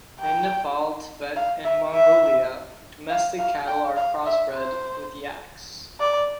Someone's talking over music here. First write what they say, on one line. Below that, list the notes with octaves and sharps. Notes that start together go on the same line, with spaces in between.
In Nepal, Tibet and Mongolia, domestic cattle are crossbred with yaks.
G5
F5
E5
E5
F5
F5
G5
F5
E5
C5
D5